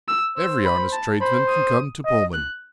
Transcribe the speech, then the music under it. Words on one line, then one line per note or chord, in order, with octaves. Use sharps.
Every honest tradesman can come to Pullman.
E6
C5 E6
B5
A5
C5 B5
D#6
D#5
F#6